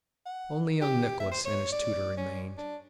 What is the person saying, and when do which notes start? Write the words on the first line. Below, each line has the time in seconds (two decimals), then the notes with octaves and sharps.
Only young Nicholas and his tutor remained.
0.26 F#5
0.81 G4
1.20 E5
1.31 C5
1.45 C#5
1.72 D5
2.17 C#4
2.57 D4